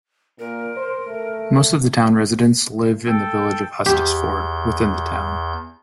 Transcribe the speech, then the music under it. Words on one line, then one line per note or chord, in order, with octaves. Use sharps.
Most of the town residents live in the village of Hustisford, within the town.
A#2 A#4
C5
A3
A4 G5
E2 G4 G6